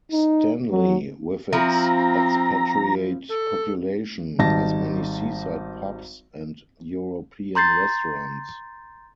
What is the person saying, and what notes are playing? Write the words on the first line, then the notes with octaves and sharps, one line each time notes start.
Stanley, with its expatriate population, has many seaside pubs and European restaurants.
D#4
F#3
F3 C4 E4 A#5
A4
G#1 G3 D#4 A5 A#6
A#5 C6 G6 A6 C7